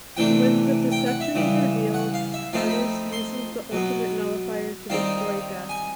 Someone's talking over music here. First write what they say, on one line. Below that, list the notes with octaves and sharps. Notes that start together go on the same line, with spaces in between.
When the deception is revealed, Thanos uses the Ultimate Nullifier to destroy Death.
C3 E3 A3 D4 G5
G5
F#5
E5
C#3 E3 G3
F#5
F5
E5
F3 A3 C4 D#4 F5
B5
C6
B2 F#3 B3
D#3 G3 C4 D#4 F5
G#5